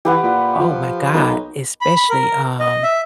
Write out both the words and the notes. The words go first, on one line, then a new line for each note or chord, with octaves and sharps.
Oh my god, especially, um,
E3 G4 B4 F#5
A#2
F3
B1 A#3 D#5
B5
B5
A#4
D#5
E5